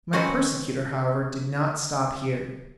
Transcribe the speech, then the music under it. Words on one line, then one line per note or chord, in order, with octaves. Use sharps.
My persecutor, however, did not stop here.
D#3 C4 C#4 F#4 B4